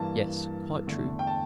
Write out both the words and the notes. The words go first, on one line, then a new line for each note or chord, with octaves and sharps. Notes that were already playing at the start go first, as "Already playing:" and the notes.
"Yes, quite true."
Already playing: G2 E3 A#3 A5
E2 D3 A3
G5
A5